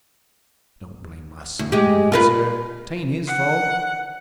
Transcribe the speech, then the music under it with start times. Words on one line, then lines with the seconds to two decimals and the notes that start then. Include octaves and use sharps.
Don't blame my son any, sir--'tain't his fault.
1.59 D2
1.72 G#3 G4
2.12 F4 A#4 B4
3.27 F#5